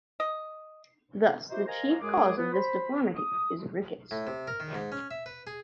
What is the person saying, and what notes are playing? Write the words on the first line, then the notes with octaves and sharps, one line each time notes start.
Thus the chief cause of this deformity is rickets.
D#5
D#4 E4 F#4 G4 C5
A#4 C5 D#5 F5 G#5 A#5
F#2 G#3 G#4 D6
B3
C5 B5
D#6
A2
C3
A#4
D#3
G#2
C#4
E5
B4
G#4